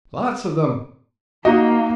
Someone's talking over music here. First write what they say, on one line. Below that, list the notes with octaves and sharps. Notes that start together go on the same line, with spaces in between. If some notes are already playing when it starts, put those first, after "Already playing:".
Lots of them.
A#3 D#4 F#4 D#5